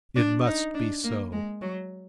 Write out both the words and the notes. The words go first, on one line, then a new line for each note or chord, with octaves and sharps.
It must be so.
D4
D#4
D4
A#3
G#3
F#3